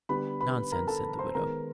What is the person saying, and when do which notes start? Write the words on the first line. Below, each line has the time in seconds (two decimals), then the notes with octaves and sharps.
"Nonsense," said the widow.
0.09 D3 G3 B3 B4 B5
0.41 B4 B5
0.72 A#4 A#5
0.87 A4 A5
1.19 C5 C6
1.35 D#3 G#3 B3 A#4 A#5